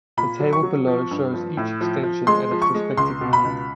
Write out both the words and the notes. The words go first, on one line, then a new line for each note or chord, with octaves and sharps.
The table below shows each extension and its respective meaning.
A#2 B5
F#3
C#6
F#3
F3
G2
F3
A2
F3
F3
G#3 C6
F3
C#6
G#3
C#2 C6
B2
B5
C#2